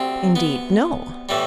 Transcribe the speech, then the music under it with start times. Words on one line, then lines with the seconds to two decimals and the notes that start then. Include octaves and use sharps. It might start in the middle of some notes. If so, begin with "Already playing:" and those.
"Indeed no."
Already playing: D2 C3 G3 C4
0.36 B3
1.29 A2 E3 G3